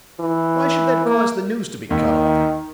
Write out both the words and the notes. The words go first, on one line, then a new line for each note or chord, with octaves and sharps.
Why should that cause the news to be cut off?
E3
A#3
D#2 D#3